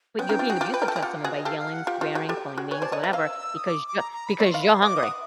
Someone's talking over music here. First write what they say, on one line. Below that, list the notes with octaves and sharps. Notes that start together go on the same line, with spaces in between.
But you're being abusive towards someone by yelling, swearing, calling names, whatever, because you're because you're hungry.
B3 C#4 G5
C#4 D#4
F4 G4
F#4 G#4
F4 G4
B4
A#4
A4
G#4
F4 G4 F#5
F5
F#4 G#4
D#5
G4 A4 F5
F5
F#5
F4 G4 G5
F4 G4
F#4 G#4
G4 A4
F#4 G#4
B4 C#5 G#5
C5 D5 A5
C#5 D#5
D5 E5 A#5
D#5 F5 E6
D#6
D6
D6
A#5
A#5
B5
D5 E5 C#6
D#5 F5 C6
B5
C6
D#5 F5 D6
D#6
E5 F#5